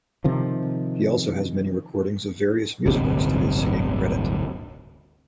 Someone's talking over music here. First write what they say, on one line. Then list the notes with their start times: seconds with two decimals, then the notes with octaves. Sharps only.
He also has many recordings of various musicals to his singing credit.
0.24 C3 D#3 F3
2.86 D1 G1 C3